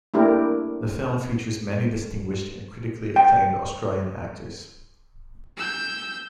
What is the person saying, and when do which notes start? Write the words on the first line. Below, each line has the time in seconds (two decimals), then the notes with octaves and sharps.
The film features many distinguished and critically acclaimed Australian actors.
0.14 A3 A#3 D4 E4 G4 A#4
3.16 G5
5.57 E6 G6